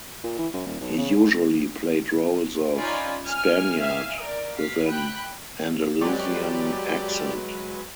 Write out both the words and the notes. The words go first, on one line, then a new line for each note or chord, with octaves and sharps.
He usually played roles of Spaniard with an Andalusian accent.
A#2
E3
F#2
D#1
B1
C#3
G#2
C#4 D#4 F4 D5 G#5 B5
G#5 F6
E5 F5 G#5 F6
A#4 D5
F5 B6
G5 B5 F#6
F#3 G#3 G4 B4 D5